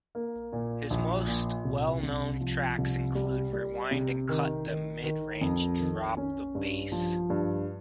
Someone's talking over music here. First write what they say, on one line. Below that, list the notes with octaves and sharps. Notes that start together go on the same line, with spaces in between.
His most well-known tracks include "Rewind" and "Cut The Midrange, Drop The Bass".
A#3
A#2
A#1
A#2
C2
C2
F3
C2
G3
G3
C3
D#3
D#3
D#3
F2
D#3
C#4
G2
F3
G2